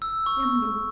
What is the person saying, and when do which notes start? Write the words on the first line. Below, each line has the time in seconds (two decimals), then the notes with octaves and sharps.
And th
0.02 E6
0.26 C#6